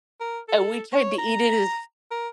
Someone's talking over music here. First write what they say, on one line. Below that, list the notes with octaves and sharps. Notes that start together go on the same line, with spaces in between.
And we tried to eat it as
A#4
A4
C#5
A#5
A#4